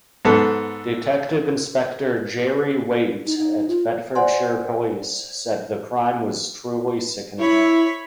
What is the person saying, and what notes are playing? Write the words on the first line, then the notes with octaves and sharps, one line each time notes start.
Detective Inspector Jerry Waite at Bedfordshire Police said the crime was "truly sickening".
G#2 B3 A4
D#4
D#4
F4
C5 D5 F#5 G#5 C6
E4 C#5 B5